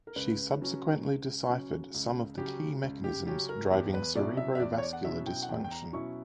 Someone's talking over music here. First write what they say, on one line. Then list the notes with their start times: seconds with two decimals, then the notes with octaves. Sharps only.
She subsequently deciphered some of the key mechanisms driving cerebrovascular dysfunction.
0.07 A#4
0.16 C#2 B4
0.61 C#3 F#3 C#4
1.05 C#2
1.49 C#3 F#3 C#4
1.94 C#2
2.38 C#3 F#3 C#4 G4
2.83 C#2
3.04 G4
3.26 C#3 F#3 C#4 G4
3.49 A#4
3.71 E2 G4
3.94 B4
4.15 B2 F#3 C#4 E4 D5
4.37 E5
4.55 E5
4.60 E2 D5
4.78 C#5
4.83 D5
4.93 F#5
5.05 B2 F#3 C#4 E4 E5
5.26 G5
5.42 F#5
5.48 E2 G5
5.64 G5
5.72 A#5
5.93 B2 F#3 C#4 E4 C#6